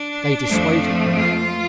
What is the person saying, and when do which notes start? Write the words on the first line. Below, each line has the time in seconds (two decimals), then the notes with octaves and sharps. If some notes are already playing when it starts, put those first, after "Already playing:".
They dissuaded me.
Already playing: D4
0.48 F2 F3 A3
1.17 F4